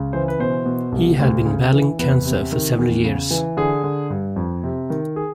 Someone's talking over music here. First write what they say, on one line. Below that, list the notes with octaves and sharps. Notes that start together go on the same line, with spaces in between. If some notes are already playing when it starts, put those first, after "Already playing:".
He had been battling cancer for several years.
Already playing: C#2 C#3
E3 C5
B4
B2 C5
B2
C2
D2
C#3
E3
E2 B4
C3
D#3
E2
C#3
E3
D3 G#4
D3
G2
F2
C3
D#3
G#4